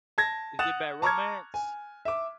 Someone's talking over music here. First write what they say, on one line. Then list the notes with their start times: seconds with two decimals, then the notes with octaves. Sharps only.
is it Bad Romance?
0.18 A5 G#6 A#6
0.59 F#5 D#6 F#6 A6 E7 F7
1.02 A5 A#5 C#6 D6 F6 G#6
1.54 G#5
2.05 E5 D6